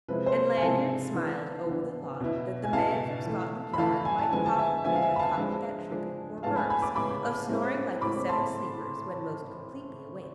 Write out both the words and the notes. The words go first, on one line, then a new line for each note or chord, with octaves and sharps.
And Lanyard smiled over the thought that the man from Scotland Yard might profitably have copied that trick of poor Bourke's, of snoring like the Seven Sleepers when most completely awake....
C3 F3 G#3 C4 E4 B4
C5
G#5
C3 F3 G#3 C4 E4 F5 A5
E3 B3 D4
E3 B3 D4
B2 B3 E4
G#5
B2 B3 E4 F5 A5
E3 A3 E4
B5
E3 A3 E4 F5 A5
G#5
A5
D3 F3 G#3 B3 G#5
A5
E5 G#5
D3 F3 G#3 B3 E5 G#5
F5
E5 G#5
B5
F5 A5
F3 G#3 D4
F3 G#3 D4
A2 G#3 B3 F5 A5
G#5 B5
G#5 B5
B5 D6
A2 G#3 B3 B5 D6
A2 G#3 C4 E4
A2 G#3 C4 E4 B5 D6
A5 C6